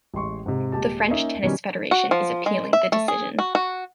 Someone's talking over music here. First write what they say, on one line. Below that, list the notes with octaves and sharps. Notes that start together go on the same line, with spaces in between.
The French Tennis Federation is appealing the decision.
A1 G#3 C6 C#6
G#2 C3
D#1 G#3 G4 A5
A#3 C#4 D#4 A#4 D#5 E5
B2 D#3 G3 C#4
F#4
F3
G#3
E5
A3
G#4
F#4
F#4